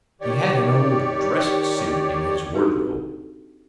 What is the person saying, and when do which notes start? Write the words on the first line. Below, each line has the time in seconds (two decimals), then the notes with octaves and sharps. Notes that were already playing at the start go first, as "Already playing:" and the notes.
He had an old dress-suit in his wardrobe.
0.21 D#3 G4 C#5 D5
2.54 C4 D4 D#4 F#4 G4 A4